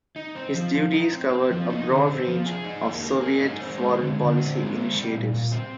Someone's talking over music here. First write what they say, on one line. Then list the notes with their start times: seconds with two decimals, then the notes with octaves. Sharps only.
His duties covered a broad range of Soviet foreign policy initiatives.
0.16 D#4
0.35 C4
0.54 F3
0.74 F3
0.92 D#4
1.12 C4
1.30 C4
1.50 F3
1.70 D#4
1.88 D3
2.08 C4
2.27 F3
2.46 G#4
2.64 D#4
2.85 A#3
3.03 A#3
3.23 G#4
3.42 D#4
3.61 C4
3.80 G#3
3.99 D3
4.19 D3
4.37 C4
4.56 G#3
4.76 C4
4.95 G3
5.14 A#2
5.33 A#2
5.52 C4